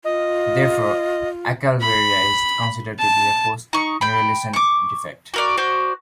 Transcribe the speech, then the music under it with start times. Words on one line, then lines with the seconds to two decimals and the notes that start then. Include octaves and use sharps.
Therefore, acalvaria is considered to be a postneurulation defect.
0.05 F4 D#5
1.81 B5
2.99 A5
3.73 D#4 C#6
4.01 G5 B5
4.53 C#6 D6
5.34 F#4 A#4 D5
5.57 F#4 C5 D5